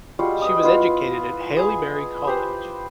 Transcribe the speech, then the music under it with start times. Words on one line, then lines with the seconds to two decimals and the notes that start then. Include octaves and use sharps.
She was educated at Haileybury College.
0.19 G3 G#3 F4 F#4
0.42 B4 D#5 D#6
0.63 B3 E4 F4
1.57 G#4 B4 G#5
2.27 G4 B4 C5